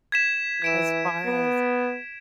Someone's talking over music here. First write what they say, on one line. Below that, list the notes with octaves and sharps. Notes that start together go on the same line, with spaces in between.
as far as
G#6 B6 E7
E3 G#6 D7 E7
B3